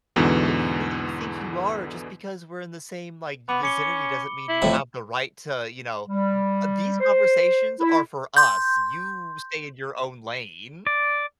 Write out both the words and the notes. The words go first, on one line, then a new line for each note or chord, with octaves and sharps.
Like, who do you think you are? Just because we're in the same, like, vicinity doesn't mean you have the right to, you know, m uh, these conversations are for us. You stay in your own lane.
E2 G#2 B2 D3 E3
B3 B5 D6
C#4 D6 C#7 G7
E4
F2 A2 C3
G3
C5
E4
C6 G6
D5